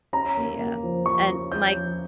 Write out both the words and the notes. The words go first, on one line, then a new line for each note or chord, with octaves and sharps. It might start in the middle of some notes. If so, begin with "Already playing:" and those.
Yeah. And my
C#4 A#5
A#3
A#3
F3
F3 C#6
C#4
C#4 G6
F3